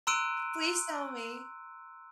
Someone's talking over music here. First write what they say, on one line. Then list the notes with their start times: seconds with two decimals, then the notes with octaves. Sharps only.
Please tell me.
0.07 A#5 C6 E6 F#6 D7 D#7